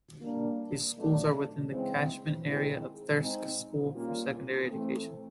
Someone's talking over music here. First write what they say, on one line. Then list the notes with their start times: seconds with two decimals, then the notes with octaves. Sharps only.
These schools are within the catchment area of Thirsk School for secondary education.
0.22 G3 A#3 D4
0.96 B2 F#3 A3 D4
1.70 C#3 E3 G#3 C4
2.44 D#3 G#3 C4 E4 G#4
3.18 G#3 C4 D#4
3.93 A#2 G3 A#3 C#4 F4
4.66 E3 A3 C4